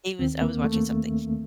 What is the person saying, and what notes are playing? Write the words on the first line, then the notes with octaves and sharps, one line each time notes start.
he was I was watching something,
D#2 D#3 C4
A#3
A3